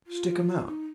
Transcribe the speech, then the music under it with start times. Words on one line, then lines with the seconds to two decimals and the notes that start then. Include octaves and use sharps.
Stick 'em out.
0.07 F4
0.67 D#4